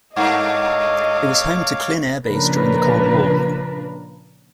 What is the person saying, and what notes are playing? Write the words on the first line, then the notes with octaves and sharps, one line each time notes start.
It was home to Klin air base during the Cold War.
G2 A3 A#3 C#5 D#5 F5 D6
A#2 C#3 F3 D4 A#4 B4